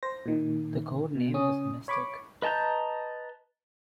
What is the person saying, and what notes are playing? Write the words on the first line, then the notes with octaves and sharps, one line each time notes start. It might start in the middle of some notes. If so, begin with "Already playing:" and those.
The code name was Mystic.
C5 A#6
A#2 D#3
B2
C#3 C#4 D#6
C#5 B5 C#6 D6
B4 D#5 A5 A#5 G6